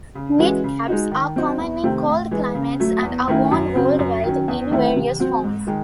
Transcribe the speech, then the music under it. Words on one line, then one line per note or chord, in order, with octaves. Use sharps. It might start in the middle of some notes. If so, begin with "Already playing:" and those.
Knit caps are common in cold climates, and are worn worldwide in various forms.
C#3
E3 G#3 C#4 F#4
C#3
G#3 D#4 F#4
D#3
F#3 C4 D#4 F#4
E2
C3 D#3 A3 C4
A2
E3 G#3
C#3
F#3 A3
E2
D#3 A3 C#4 E4
F#2
C#3 F#3 C4
F#2
D#3 F#3 C#4
E2
D#3 A3 C4 E4
C3
F#3 C4 F#4
G#2
D#3 G#3